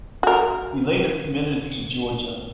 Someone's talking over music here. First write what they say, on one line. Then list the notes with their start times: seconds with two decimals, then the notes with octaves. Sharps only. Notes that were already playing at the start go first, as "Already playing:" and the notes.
He later committed to Georgia.
0.23 F#4 A#4